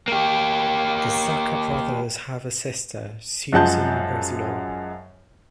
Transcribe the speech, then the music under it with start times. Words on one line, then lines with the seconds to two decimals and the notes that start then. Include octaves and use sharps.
The Zucker brothers have a sister, Susan Breslau.
0.08 A#3 G4
3.53 F#2 F3 G#3 F#5 A5 G6